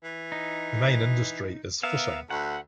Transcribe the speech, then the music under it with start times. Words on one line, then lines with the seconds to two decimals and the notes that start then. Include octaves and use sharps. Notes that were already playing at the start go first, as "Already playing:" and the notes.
The main industry is fishing.
0.03 E3
0.32 D#4
1.83 B3 A#4 E5 F5
2.30 D2 F#5